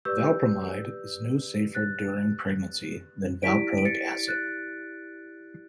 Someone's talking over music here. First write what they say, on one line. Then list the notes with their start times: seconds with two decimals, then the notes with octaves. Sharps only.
Valpromide is no safer during pregnancy than valproic acid.
0.05 G4 B4 D5 E6 G6
1.75 F#6 A6
3.43 E4 G4 D5 B6 D7
3.78 D7
3.85 A6 C#7
4.27 F#6 A6